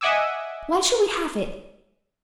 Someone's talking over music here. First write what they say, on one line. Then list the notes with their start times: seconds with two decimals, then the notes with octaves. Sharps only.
When shall we have it!
0.01 D#5 E5 F#5 G#5 D6 E6